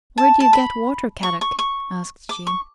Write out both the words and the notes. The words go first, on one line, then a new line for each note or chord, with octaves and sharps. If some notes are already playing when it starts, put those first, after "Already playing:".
"Where do you get water, Kadok?" asked Jean.
A5
A5
B5
C#6
C#6
C#6
D6
C#6